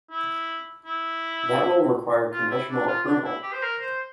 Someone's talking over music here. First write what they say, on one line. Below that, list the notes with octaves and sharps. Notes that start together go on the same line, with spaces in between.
That will require congressional approval.
E4
E4
F4
E4
D4
F4
D4
E4
G4
C5
A#4
C5